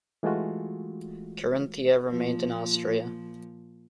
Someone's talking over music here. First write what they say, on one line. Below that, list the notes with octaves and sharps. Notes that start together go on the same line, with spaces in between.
Carinthia remained in Austria.
E3 G#3 A3 F4 F#4
A#2 F3